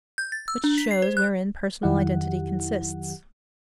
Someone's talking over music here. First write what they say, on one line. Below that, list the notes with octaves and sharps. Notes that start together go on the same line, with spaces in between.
Which shows wherein Personal identity consists.
G6
A6
E6
D4
B6
C7
C5
F#6
F2 D#3 F#3 E4 G4 F#5